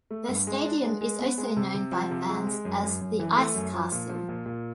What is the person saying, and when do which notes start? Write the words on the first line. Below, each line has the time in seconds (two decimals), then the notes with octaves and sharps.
The stadium is also known by fans as the "Ice Castle".
0.11 A3
0.28 G2
0.47 G#3
0.66 D4
0.83 G#3
1.01 G#3
1.19 B3
1.38 G#3
1.57 C3
1.74 C3
1.92 F3
2.11 C3
2.29 G#3
2.47 G#3
2.65 F#2
2.83 F#2
3.01 F#2
3.20 E3
3.38 A3
3.55 F#2
3.73 F3
3.92 A#2
4.09 F3
4.29 A#2
4.46 A#2